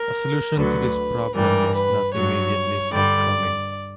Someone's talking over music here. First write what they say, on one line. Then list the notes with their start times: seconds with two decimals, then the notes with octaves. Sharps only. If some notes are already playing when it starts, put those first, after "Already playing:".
A solution to this problem was not immediately forthcoming.
Already playing: A#4
0.55 D2 D3 F#3 B4
1.34 G2 E3 G3 A#4
1.74 B4
2.14 G2 F#3 C#5
2.92 G2 D3 G3 D5